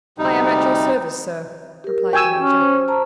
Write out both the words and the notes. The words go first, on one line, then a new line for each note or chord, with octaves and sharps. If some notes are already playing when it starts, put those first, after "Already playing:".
"I am at your service, sir," replied the major.
D2 C3 G3 D#4
G4 A#4
F#4 G5 G#5 C#6 E6
C#4
C5
C5 A5 A#5